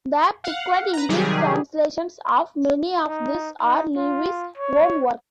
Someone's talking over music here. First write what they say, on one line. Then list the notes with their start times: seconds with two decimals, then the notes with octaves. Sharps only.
The piquant English translations of many of these are Lewis's own work.
0.44 F5 F#5
0.93 B4 A#5
1.09 C3 D#3 F#3 G3 G4 G#4
3.07 D#4
3.62 D#4
3.97 F4
4.57 C#5